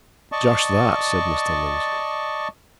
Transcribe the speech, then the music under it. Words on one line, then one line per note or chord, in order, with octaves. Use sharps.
"Just that," said Mr. Lindsey.
D5 D#5 A5 C#6